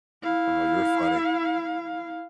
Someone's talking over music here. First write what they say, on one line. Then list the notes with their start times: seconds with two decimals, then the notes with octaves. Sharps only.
Oh, you're funny.
0.23 E4 F5